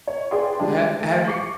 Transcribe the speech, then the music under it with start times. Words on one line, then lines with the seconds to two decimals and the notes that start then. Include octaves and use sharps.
ha have you
0.07 C#5
0.31 G#4 B4 D5 F5 G5 C6
0.59 G3 G#3 D4 F4
1.01 A3
1.27 C#6 D6 C7 C#7